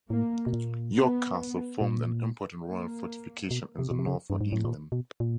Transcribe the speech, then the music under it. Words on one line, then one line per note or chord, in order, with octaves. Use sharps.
York Castle formed an important royal fortification in the north of England.
A2 A#3
B2
A#2
B3
A#2
A#3
B2
C3
B2
C3
C#3
G2
G#2
A2
A#2
B2
A#2